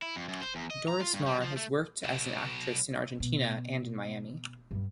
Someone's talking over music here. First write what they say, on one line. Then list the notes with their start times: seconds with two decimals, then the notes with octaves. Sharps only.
Dorismar has worked as an actress in Argentina and in Miami.
0.02 E4
0.16 F2
0.28 F#2
0.42 C5
0.55 E2
0.71 D#5
0.88 A#5
1.01 F4
1.14 G2
1.26 G3
1.42 F3
1.57 A3
2.04 B1 B2
3.20 B2
4.71 G2 G3